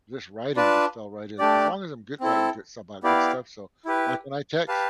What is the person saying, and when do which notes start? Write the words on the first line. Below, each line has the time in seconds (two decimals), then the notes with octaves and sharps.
this writing just fell right in. As long as I'm good writing good stuff about good stuff, so, like, when I text,
0.56 D4 F4 B4 D5 A5
1.39 A3 D4 G4 D5
2.20 C4 E4 A4
3.03 B3 E4 G4 D5 F5
3.85 E4 G4 B4
4.68 G4 B4 F5 A5